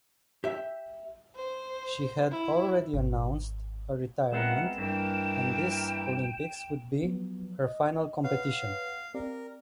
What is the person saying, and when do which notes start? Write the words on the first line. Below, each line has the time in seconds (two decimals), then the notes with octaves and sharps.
She had already announced her retirement and this Olympics would be her final competition.
0.44 G4 E5
1.36 C5
2.31 E4
2.94 G#1
4.32 G#3 B3 C4 A#4 E5 F#5 E7
4.78 G2 E3 A#3 A#4 G5
7.03 F3 F#3 B3
7.64 D#5
8.24 B4 C#5 F5 F#5
9.14 C4 G4 A#4 D5